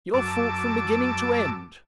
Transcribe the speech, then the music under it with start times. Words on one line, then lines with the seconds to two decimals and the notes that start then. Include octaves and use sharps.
'Your fault from beginning to end.'
0.14 F#2 A5 D6 E6